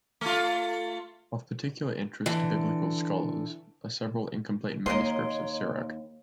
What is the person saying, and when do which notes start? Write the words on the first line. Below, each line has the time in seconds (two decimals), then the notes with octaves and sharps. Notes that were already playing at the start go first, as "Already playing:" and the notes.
Of particular interest to biblical scholars are several incomplete manuscripts of Sirach.
0.21 A3 F4
2.26 D3 E3
4.86 D#2 A#3 A#4 C#5 D#5 C6